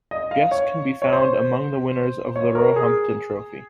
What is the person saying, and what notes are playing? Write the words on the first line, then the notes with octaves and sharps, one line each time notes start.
Guest can be found among the winners of the Roehampton Trophy.
D#5
F5
C#5
C#5
C5
C#5
A#4
G#4